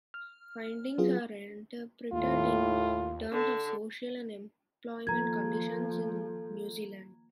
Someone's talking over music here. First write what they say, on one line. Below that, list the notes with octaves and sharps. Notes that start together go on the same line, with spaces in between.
Findings are interpreted in terms of social and employment conditions in New Zealand.
F6
F#3 B3 F4 G#4
D#2 A2 F4
D3
D#3 F3 A#3 A4 A#5 G#6